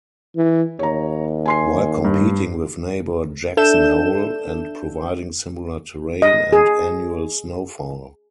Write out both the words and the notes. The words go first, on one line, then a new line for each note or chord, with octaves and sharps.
While competing with neighbor Jackson Hole and providing similar terrain and annual snowfall.
E3
D#2 C#5 A#5
G#5 C6 C7
G2
D4 A4 E5 G6 E7
D#5
G#4